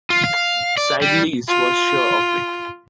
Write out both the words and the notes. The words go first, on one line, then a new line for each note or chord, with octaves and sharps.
Cydalise was sure of it.
F4
F5
D5
G3
F4